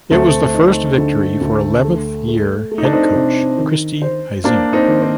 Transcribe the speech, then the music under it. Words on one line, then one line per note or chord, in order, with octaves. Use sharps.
It was the first victory for eleventh year head coach Kristi Huizenga.
D2 A3 C4
D#4
D3
D2
A3
A3
A3
D#4
D4
C4 D#4
C3
D#3
C5
A#3 D4 C5
C4 D#4
D#3
C4